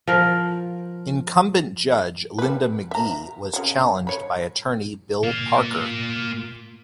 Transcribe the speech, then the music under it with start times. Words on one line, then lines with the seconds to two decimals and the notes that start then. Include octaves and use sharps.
Incumbent Judge Linda McGee was challenged by attorney Bill Parker.
0.07 F3 A#4
2.39 G3 B4
2.91 E5 A#5
3.53 C#3 F#3
4.07 C#5 B5
5.24 A#3 F4